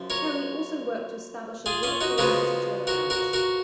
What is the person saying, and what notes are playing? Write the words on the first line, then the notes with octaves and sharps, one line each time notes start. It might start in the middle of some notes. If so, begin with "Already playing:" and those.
Kelley also worked to establish a work-day limited to eight hours.
Already playing: F#2 F3
A#4 C#5
F4 G#4
C#4 F4
D#4 F#4
C#3 F3 G#3 B3 F#4 A#4
F#4 A#4
F#4 A#4
F#4 A#4